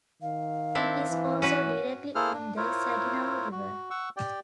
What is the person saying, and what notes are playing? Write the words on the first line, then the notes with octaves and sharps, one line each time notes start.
It is also directly on the Saginaw River.
D#3 F5
C4 D4 E4
E3
C#4 F#4 B4 C#5
A#3 E4 G#4 A4 C5 F6
D4
E4 F4 A#4 C5 C#5
F#4
F#5 C#6 E6
G4 D5 G5